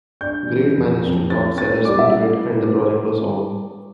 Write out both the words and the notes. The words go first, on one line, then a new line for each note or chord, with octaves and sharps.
Grade managed to talk Sellers into it and the project was on.
D4 G6
E3
F2
F2
C#4 A6
C#4 A6
G3 D6
E5